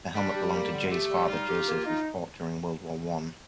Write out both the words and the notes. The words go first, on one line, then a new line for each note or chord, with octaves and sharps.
The helmet belonged to Jay's father, Joseph, who fought during World War One.
G3 D4
G4
A#3
D3
A3 G4
G3
D#4 F4
G4
A#3
D#4